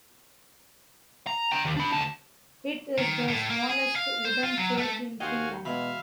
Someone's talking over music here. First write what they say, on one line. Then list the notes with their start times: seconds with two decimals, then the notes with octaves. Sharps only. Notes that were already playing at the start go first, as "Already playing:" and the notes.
It is the smallest wooden church in Finland.
1.27 A#5
1.52 G5 A#5
1.65 D#2
1.77 D4 B5
1.93 D2 A5
2.98 D#3
3.28 A2
3.50 A#3
3.69 G#4
3.96 F5
4.25 C5
4.43 F4
4.57 F#3
4.78 A3
5.20 D#2 F#4 C5 D#5 F5 G5 G#5 G6
5.65 B2 E3 G#3 E5 F5 B5